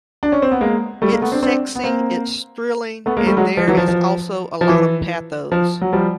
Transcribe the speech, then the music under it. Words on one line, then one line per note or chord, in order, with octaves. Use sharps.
It's sexy, it's thrilling and there is also a lot of pathos.
D4
C#4
C4
B3
G#3 A#3
G3 A3
G#3 A#3
A3 B3
C4 D4
C4 D4
B3
A#3 C4
A3 B3
G#3 A#3
G3 A3
F#3 G#3
F3
E3 F#3
F3
F3
F3
E3
F3
F#3
F3 G3